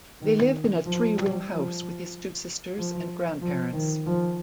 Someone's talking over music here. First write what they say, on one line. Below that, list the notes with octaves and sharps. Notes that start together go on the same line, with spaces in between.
They lived in a three-room house with his two sisters and grandparents.
D#3
F3
G3
F3
F3
F3
D#3
F3